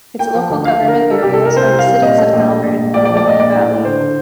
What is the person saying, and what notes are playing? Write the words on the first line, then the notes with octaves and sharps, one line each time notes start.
Its local government areas are the Cities of Melbourne and Moonee Valley.
A#3 G5
F3
D2
F3 F5
D3
A#4
D3
G3 A4
C2 G4
A4
C2 A#4
C2 C5
C3
F5
G3
A#2 D#5
A3
A#1
A3
A#1
A#1
A#1 D5
D5
F3
D5
A#1 D#5
A#1 D5
A2
A2
D3 C5
D3